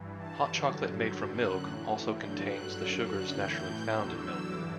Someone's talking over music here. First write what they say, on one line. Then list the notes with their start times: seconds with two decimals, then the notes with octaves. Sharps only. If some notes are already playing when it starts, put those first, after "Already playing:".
Hot chocolate made from milk also contains the sugars naturally found in milk.
Already playing: G2 E3
0.18 A5
0.45 G2 D3 F#3
1.02 F#2 D3 F#3 G6
1.32 F#6
1.60 A2 E3
2.16 G2 D3 F#3 G6
2.44 F#6
2.73 F#2 D3 F#3 E6
3.03 F#6
3.30 A2 E3 G6
3.87 E2 D3 F#3 E6
4.16 E6
4.44 G2 E3 D6